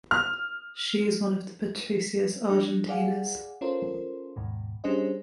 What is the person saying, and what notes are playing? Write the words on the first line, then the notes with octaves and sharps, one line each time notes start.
She is one of the Patricias Argentinas.
F6
G3 D4
G#4 D5 F5 F#5 G#5
C#4 F4 A4 A#4 C5
D#2 G#2 B2
G3 C#4 D4 G#4 C5 D#5